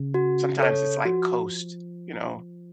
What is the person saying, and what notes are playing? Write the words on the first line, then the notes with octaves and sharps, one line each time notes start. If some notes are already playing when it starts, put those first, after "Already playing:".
Sometimes it's like coast, you know,
Already playing: C#3
F#4
A4 C#5
F3 F#4